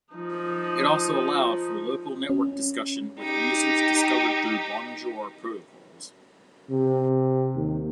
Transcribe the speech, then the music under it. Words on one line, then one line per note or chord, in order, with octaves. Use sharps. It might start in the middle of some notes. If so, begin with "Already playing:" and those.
It also allowed for local network discussion with users discovered through Bonjour protocols.
F3 D#4
C#4
D#4 G4
C3
D#2